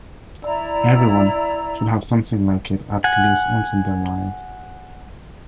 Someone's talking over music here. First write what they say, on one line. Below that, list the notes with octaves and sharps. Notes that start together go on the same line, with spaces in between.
Everyone should have something like it at least once in their lives.
E4 D5 A#5 E6
F#5 G#5